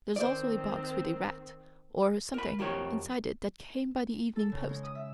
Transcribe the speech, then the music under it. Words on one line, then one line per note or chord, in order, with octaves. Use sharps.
There's also a box with a rat, or something, inside it that came by the evening post.
D#3 C4 C5 D5
A#4 B5
F2 G4 A#4 C#5
A4
C#3
G#3
D#6
E5